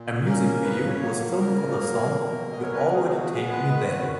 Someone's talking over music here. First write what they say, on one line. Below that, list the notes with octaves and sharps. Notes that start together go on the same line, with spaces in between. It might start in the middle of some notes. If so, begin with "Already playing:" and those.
A music video was filmed for the song "You Already Take Me There".
Already playing: A#2
A#3 C#4 A#4
C#3 B4
C#5
F#3 A#3
C#3 A#4
F#3 A#3
B2
G#3 B3 D#5
C#5
B4
A#4
B2 G#4
G#4
F#4
G#3 B3 G#4
B4
D#3 B4
F#4